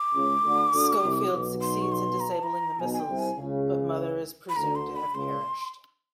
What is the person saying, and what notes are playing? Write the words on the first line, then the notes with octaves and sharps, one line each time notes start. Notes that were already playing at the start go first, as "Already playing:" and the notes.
Schofield succeeds in disabling the missiles, but Mother is presumed to have perished.
Already playing: D6
C#2 C#3
D2 D3
D2 D3
C2 C3
B1 B2
C6
C#6
C6
A#5
A5
A#5
B1 B2 G#5
G#5
G5
C2 C3
G#5
C#2 C#3
B5
D2 D3 A#5
C6
B5
C#2 C#3 C6